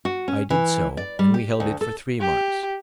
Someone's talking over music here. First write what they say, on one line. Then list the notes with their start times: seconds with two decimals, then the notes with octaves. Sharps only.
I did so, and we held it for three months.
0.05 F#4
0.28 C#4
0.50 E3
0.97 D5
1.19 G3
1.34 G4
1.60 D2
1.81 A4
2.20 G4